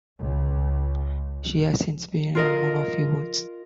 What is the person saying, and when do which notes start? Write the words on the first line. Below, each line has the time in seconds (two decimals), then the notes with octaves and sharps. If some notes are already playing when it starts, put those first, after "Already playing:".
She has since been a woman of few words.
0.20 C#2
2.35 F4 A#4 D#5